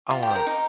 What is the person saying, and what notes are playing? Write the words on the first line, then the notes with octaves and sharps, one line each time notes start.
I want
F4
G4
C5
A#4
D#4